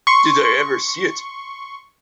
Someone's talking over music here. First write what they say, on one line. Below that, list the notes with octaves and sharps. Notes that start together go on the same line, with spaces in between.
Did I ever see it?
C6 C#6